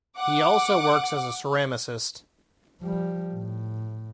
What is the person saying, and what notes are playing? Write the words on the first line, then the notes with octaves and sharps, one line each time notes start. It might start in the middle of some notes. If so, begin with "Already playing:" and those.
He also works as a ceramicist.
F#5 D6
F3 G3
A2